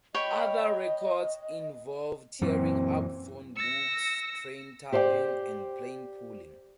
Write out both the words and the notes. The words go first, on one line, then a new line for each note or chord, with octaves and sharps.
Other records involve tearing up phonebooks, train-towing and plane-pulling.
C#5 D#5 G5 B5
F#2 A#2 E3 C4
E6 A#6 C#7
G4 C5 D5 E5 G5